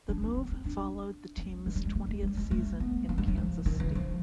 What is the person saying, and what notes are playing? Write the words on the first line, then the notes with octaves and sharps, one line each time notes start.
The move followed the team's twentieth season in Kansas City.
D4
C4
B3
C4
D4
C#4
G#3
G3
G#3
A3
G#3
G3
G#3
A3
B3
A#3
G#3
F#3
F3
D#3
E3
F3